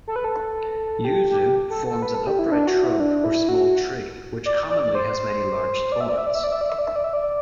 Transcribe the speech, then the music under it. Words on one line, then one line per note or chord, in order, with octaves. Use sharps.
Yuzu forms an upright shrub or small tree, which commonly has many large thorns.
A4
B4
A4
G4
G4
A4
A4
B4
A4
G4
E4
D4
F#4
E4
D4
E4
F#4
D5
D5
D5
C5
D5
E5
D5
E5
D5
E5
D5
E5
D5
E5
D5
E5
D5
E5
D5